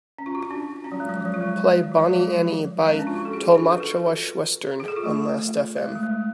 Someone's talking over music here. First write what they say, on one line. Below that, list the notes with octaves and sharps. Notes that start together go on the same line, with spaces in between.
Play Bonnie Annie by Tolmatschowa-schwestern on last fm.
C#4
F4
F#4
F4
D4
C#4
F#3
G#3
F#3
F3
F#3
F4
G#3
F#3
F3
F#3
G#3
F3
G#3
C#4
D4
F4
F#4
A4
G#4
F#4
F4
D4
F4
B4
A4
G#4
A4
F4
A3
G#3
A3
G#3